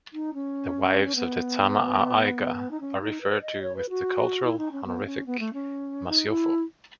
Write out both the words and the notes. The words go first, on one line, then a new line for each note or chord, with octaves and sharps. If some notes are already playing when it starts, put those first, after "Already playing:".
The wives of the Tama-a-Aiga are referred to with the cultural honorific "Masiofo".
D#4
C#4
B3
D#4
C#4
D#4
B4
D#5
C#5
B4
F#4
E4
D#4
C#4
B3
C#4
B3
A3
C#4
D#4
E4